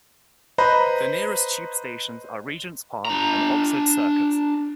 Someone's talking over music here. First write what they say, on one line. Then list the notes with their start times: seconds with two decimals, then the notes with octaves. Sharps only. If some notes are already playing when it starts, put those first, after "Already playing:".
The nearest Tube stations are Regent's Park and Oxford Circus.
0.58 B4 C5 D#5 A#5 B5
3.05 D4 A#5